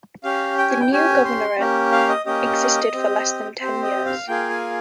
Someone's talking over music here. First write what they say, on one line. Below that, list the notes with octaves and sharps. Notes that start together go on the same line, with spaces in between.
The new governorate existed for less than ten years.
C#4 G4 F5
G5
G#5
G5
C#4 G4 G#5
C6
A#3 C#4 G4
F5
D#5
A#3 C#4 G4 D#5
C4 G4
C4 G4 C5
D#5
F5
A#3 F4 G#4 G5
G#5